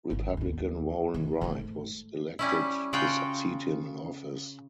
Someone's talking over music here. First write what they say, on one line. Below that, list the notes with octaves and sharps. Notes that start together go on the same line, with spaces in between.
Republican Warren Wright was elected to succeed him in office.
G#1 D#3
D#2 A#3
D#2
G#2 A3
G3 C#4 E4
C#3 F4 F#4 G5